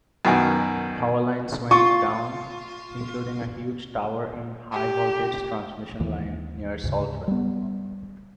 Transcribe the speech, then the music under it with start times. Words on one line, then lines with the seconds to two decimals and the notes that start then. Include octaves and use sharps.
Power lines went down, including a huge tower and high-voltage transmission line near Saltwell.
0.25 F#2 B2 D#3 G#5
1.71 F4 C#6
4.72 G4
6.00 D#2 E3
6.83 D2 G#2 C#3
7.28 G3 B3